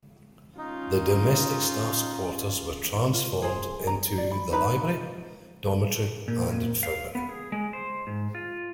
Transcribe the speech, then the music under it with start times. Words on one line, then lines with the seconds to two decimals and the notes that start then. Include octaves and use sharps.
The domestic staff's quarters were transformed into the library, dormitory and infirmary.
0.58 C#4 D#4 F4
3.13 F4
3.42 G#4 C5
3.87 A#5
4.18 D5
4.31 B5
4.51 D#4 B4 A#5
6.28 A#2
6.50 A#2
6.83 F5
7.15 B3
7.29 G#4
7.52 G#3
7.73 C5
8.07 G#2
8.35 F4